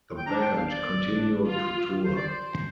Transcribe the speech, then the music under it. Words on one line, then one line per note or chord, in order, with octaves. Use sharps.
The band continue to tour.
G5
D4 A#5
G5
F5
D5
D4
F4
C5
D5
C5